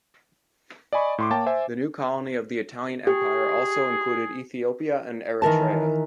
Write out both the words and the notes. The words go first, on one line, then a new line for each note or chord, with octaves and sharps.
The new colony of the Italian Empire also included Ethiopia and Eritrea.
D5 D#5 G#5 B5 C#6
A2 C6 D6
A#3 C#5 G5 A5 A6
C5 E5 G#5
G4 G#4
D#3 E3 A#4 A5